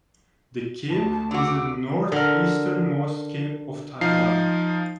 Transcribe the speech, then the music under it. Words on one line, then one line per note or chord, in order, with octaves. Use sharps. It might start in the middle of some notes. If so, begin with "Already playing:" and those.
The cape is the northeasternmost cape of Taiwan.
D2 A5
D3 F#4 D6
D3 A#4
F3 D#4 F5 C7